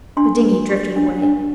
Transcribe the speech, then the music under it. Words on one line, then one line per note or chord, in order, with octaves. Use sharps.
The dinghy drifted away.
D4 C6
B4
G4
D4
D4